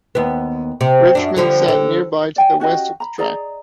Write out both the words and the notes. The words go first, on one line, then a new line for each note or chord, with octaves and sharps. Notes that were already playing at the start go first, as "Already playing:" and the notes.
Richmond sat nearby to the west of the tract.
D#2 B3
C3
F#2 D4
D3 F3 G3
D3
D5 G5 G#5
C#4 F#4 G4 D#5
A#5 B5
G#4 D5 D#5 A#5